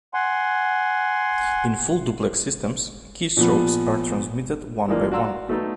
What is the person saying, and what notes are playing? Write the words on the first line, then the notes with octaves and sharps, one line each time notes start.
In full-duplex systems, keystrokes are transmitted one by one.
F#5 G#5 C6
A#2 F3 B3
E3 F3 G3 G#3 A#3 D4
F#4 D5 F5 A#5 C6 E6
F#3 A3 B3 D#4 A4